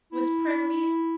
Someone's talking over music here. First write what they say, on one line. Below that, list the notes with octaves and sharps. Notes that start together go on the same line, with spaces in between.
"Was prayer-meeting?"
E4